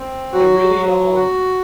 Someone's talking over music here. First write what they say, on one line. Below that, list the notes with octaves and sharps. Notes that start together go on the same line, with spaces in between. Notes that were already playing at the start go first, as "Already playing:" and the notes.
to really, um,
Already playing: C4
F#3 F#4
F#3
F#4